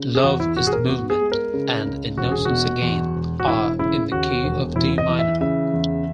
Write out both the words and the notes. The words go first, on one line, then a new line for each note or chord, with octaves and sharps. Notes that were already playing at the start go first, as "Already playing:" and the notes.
"Love is the Movement" and "Innocence Again" are in the key of D minor.
Already playing: C#3
G#4
E2 F#4
E4
E1 F#4
G#4
A#4
B3 F#4
G#4
G#3
A#4
C#3
C#2
E1 F#4
G#4
B2 F#4
E2
E1
F#4
E1 E4
C#3 E4
D#2 F#4
E1
E2 E4
D#5
E3
E5
C#3 E5
E2